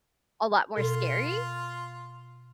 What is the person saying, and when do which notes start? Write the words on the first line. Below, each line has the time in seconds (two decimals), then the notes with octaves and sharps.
a lot more scary.
0.76 B2 F4 A4 C6